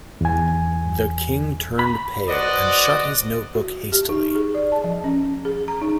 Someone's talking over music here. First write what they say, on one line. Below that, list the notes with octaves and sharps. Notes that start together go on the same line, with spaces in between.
The King turned pale, and shut his note-book hastily.
E2 G#5
B5
F#4 B4 C5 D5 D#5
F#4
G4
D#4
G#4
D5
A5
F3
C#4
G#4
A#5
D#4